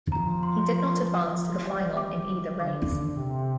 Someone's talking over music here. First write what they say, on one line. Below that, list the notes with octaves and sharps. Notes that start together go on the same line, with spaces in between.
He did not advance to the final in either race.
F3 A#5
C6
C6
F3
G3
D6
D3 D6
C3